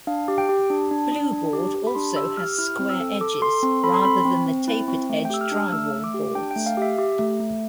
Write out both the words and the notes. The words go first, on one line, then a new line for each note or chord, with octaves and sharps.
Blueboard also has square edges rather than the tapered-edge drywall boards.
D4 F5
G4
G5
G4
D4
D4
D4
D4
G4
G4
B5
D4 C6
G4 E6
G4 F6
E4 F6
C4
E6
A4
A4 D6
A4 C6
C4 C6
A4 B5
C6
C4 B5
C4
C4
E4
C4
A3
G5
G4 E6
F6
D4 F6
A3 E6
A3
D6
G4
D4 G5
G5
A3
F5
G4 E5
G4
A3
A3